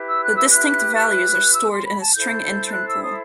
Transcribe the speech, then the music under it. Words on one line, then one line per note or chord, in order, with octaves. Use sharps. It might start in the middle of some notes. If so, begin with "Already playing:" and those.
The distinct values are stored in a string intern pool.
Already playing: E4 G4 B4
E6
F#6
E6
F#6
F#6
E6
C6
B5
A5
E4 A4 C5 G6
G6
F#6
E6
D#6